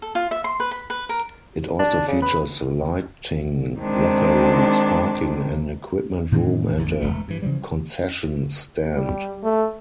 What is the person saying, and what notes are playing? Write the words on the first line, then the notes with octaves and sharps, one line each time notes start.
It also features lighting, locker rooms, parking, an equipment room and a concession stand.
A4
F4
E5
C6
B4
B5
B4
A#4
D4
C#3
B4
D#3 G#3 C4 D4
A2 D#3 E3 D4
A1 E2 D3
E1 A#1 A3
G2 E3
C#3 E3 F3 G3
G3
A3